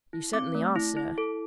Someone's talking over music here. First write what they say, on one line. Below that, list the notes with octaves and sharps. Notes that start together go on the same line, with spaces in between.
"You certainly are, sir."
E4
C4 D6
A3
E4
E4
A4